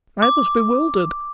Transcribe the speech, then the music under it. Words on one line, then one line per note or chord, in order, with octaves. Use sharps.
I was bewildered.
D6